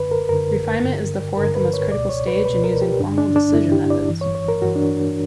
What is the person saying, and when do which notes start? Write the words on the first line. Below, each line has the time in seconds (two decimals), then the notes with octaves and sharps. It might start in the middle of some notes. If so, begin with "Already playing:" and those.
Refinement is the fourth and most critical stage in using formal decision methods.
Already playing: F#2 D3 B4
0.11 A#4
0.29 F#2 D3 A#4
0.84 G2 D3
1.37 G2 D3 A#4
1.55 B4
1.73 C#5
1.92 C#2 B2 D5
2.09 C#5
2.27 B4
2.46 C#2 B2 B4
2.64 A#4
2.82 G4
3.00 G2 D3 D4
3.18 D4
3.36 D4
3.54 G2 D3 E4
3.72 G4
3.90 D5
4.08 G2 E3
4.21 C#5
4.35 C#5
4.48 A#4
4.62 G2 E3 F#4
4.75 D4